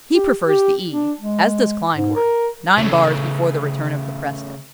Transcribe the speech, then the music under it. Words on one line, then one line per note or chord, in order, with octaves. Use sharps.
He prefers the E--as does Klindworth--nine bars before the return of the presto.
G4
G4
D4
G#3
G#2
A#4
C#3 A3